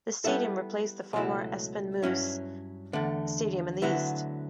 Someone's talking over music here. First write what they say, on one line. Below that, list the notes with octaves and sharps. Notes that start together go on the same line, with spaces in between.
The stadium replaced the former Espenmoos stadium in the east.
G3 B3 E4 A4 E5
C#2 B2 F#3 A3 E4
G2 F#3 C#4 E4
E2 D3 A3
D2 D3 F#3 B3 E4